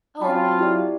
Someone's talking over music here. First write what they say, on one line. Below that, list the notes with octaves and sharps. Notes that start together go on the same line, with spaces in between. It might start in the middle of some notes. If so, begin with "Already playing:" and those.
Oh, okay,
F#3 C4 F4 G5 A5 B5
E4 G4 D5